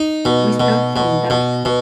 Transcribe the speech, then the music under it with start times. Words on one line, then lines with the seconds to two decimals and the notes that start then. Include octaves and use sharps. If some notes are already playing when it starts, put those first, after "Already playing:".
We start from that.
Already playing: D#4
0.25 B2
0.60 B2
0.96 B2
1.30 B2
1.65 B2